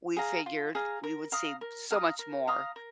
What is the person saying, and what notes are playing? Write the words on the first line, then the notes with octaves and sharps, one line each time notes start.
we figured we would see so much more
G#4 F5 A#5
F4
G#4 F5 A#5
A#4
F5 A#5 D#6
A#4
F5 A#5 D#6
A#4
F5 A#5 D#6
A#4